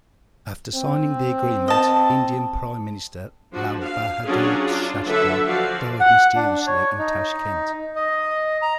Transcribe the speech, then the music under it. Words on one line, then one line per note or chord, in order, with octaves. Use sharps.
After signing the agreement, Indian Prime Minister Lal Bahadur Shastri died mysteriously in Tashkent.
C4
D#5 A5
F3 D4 F#4
F5
F#3 C#4 D4 F4 F#4 G#4
D4 F4
D3 F#3 A4 B4 E5 F#5
F3 F#4 D5 F5
F#5
D4
C#5
D#4
D#5
A#5